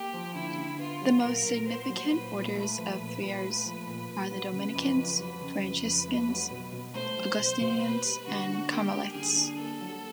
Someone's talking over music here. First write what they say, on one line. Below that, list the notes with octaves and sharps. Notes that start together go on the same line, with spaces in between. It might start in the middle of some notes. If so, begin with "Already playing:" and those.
The most significant orders of friars are the Dominicans, Franciscans, Augustinians and Carmelites.
Already playing: A#3 G4
F3
D3 E4
D3
B3 F4
F#3
A#2 A#4
A#2
B3 C5
F#3
A#2 B4
A#2
A3
F3
A#2
A#2
A3
F3
A#2
A#2
F#3 B4
C#3
F2
F2
F#3 B4
C#3
F2
F2
A3
F#3
B2
B2
A3 C5
F#3
B2
B2
A#3 B4
G3
D3 F#4
D4
A#3 G4
G3
D3 G#4
D4
A#3 A4
F#3